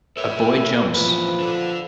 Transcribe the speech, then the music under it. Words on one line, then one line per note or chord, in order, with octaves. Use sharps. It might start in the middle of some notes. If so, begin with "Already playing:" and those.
A boy jumps.
A4 B4 C#5 E5
F2 A#2 E3 F3 B4
D3 A4 D5